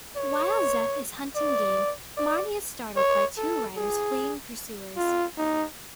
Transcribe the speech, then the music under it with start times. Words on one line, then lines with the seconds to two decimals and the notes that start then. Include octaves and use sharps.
While Zeph is hunting game, Marnie is startled by two riders fleeing pursuers.
0.17 C#5
1.36 D5
2.17 D5
2.97 C#5
3.37 A4
3.77 G#4
4.97 F4
5.37 D#4